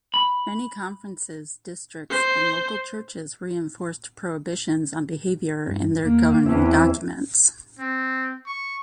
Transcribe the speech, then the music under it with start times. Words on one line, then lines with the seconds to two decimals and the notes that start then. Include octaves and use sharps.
Many conferences, districts and local churches reinforced prohibitions on behavior in their governing documents.
0.14 B5
2.10 C5
5.67 G2
6.03 E2 A#3
6.46 E2 E3 C4 E4
7.79 C4
8.46 C#6